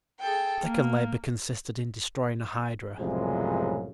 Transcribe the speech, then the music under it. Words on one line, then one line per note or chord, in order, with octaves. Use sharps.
The second labor consisted in destroying a hydra.
G#4 A4 G5
A#3
C2 F#2 A2 C#3 F3 G#3